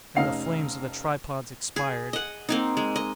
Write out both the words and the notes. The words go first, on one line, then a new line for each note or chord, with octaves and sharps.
And the flames of the tripods expired.
F1 C#4 D#4 F5 C7
G#4
D#5 F#5
A#3 C4 D#4
G#3
D#5